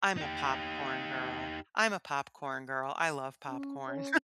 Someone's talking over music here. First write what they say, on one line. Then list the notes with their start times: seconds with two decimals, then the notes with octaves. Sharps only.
I'm a popcorn girl. I'm a popcorn girl. I love popcorn.
0.17 D#4 G4
3.49 C#4
3.87 C#4